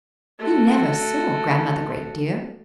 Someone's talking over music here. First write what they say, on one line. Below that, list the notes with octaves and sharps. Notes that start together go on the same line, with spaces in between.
"You never saw Grandmother Great, dear."
A3 F#4